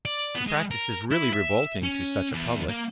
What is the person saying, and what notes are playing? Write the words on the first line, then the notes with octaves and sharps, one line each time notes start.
The practice is really revolting to such a public.
D5
B3
G#3
A#4
E4
E5
C#4
E2
A#3